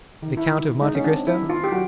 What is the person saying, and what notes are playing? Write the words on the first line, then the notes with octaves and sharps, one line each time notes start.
"The Count of Monte Cristo?"
D#3
E4
D#3
G#3 D#4
C#4
D4
C4
E4
D#3
F4
G4
F#3 F#4